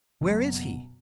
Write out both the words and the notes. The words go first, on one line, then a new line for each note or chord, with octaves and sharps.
Where is he?
F#1 B2 F#3 A#3